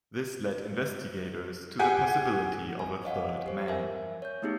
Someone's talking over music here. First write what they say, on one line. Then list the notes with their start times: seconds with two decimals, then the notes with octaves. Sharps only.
This led investigators to the possibility of a third man.
1.79 G4 G#4 F#5 G#5
2.79 G#5
3.04 C#5 D#5 F5 F#5
3.46 G4 C5
3.67 A#4 E5 G#5
4.22 C#5 G6
4.42 A3 B3 D#4 G4 G#4